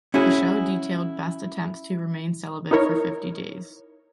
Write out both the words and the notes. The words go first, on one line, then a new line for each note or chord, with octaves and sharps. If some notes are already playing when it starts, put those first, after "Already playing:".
The show detailed Best's attempts to remain celibate for fifty days.
C#4 E4 F#4 G#4
D#4 E4 A#4 C#5